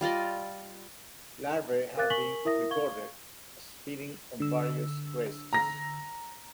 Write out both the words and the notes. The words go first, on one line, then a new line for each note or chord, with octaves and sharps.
Larvae have been recorded as feeding on various grasses.
G3 F4 D5 D#5
A#4 F5 D6 F#6 A6
A#4 G#5 C#6 B6 F#7 G7
E4 A#4 E5 D#6 A#6
F5 C#6 G#6 G7
D3 E6
A#5 A#6